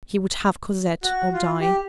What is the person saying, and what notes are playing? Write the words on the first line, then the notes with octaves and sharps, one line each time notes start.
He would have Cosette or die.
F#4
F4
G4